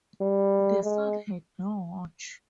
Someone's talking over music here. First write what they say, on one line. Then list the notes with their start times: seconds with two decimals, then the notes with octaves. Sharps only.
The son had no watch.
0.20 G3
0.83 G#3